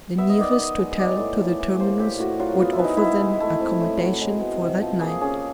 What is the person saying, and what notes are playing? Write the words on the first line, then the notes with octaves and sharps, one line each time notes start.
The nearest hotel to the terminus would offer them accommodation for that night.
B3 E5
D#5
D#3 D5
D#5
D#3
G#3
D#5
G3 D5
A2
A2
E3
A#3 C5
A2 G4
A2 F#4
F#3 F4
B3 F4
E4
E3
D#4
E3 E4
G#3
A3 E4
C4
A2
F#3
G#3
B3
C3
F3
A#3 G#4
C#4 G#4